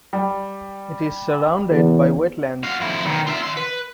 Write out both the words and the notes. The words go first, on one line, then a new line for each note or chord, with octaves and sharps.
It is surrounded by wetlands.
G3
E2
F#4 F5
F2 E4
B1 D#3
F4 E5
D#3 C6
B4